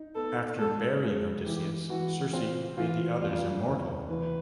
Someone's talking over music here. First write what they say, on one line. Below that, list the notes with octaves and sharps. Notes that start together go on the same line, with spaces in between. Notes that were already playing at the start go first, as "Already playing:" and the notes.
After burying Odysseus, Circe made the others immortal.
Already playing: D#4
B3 A4
G#2 A4
G#3 G#4
E3 G4
E3 F#4
C4 F4
E3 F4
F1 F4
D#2
E3 B4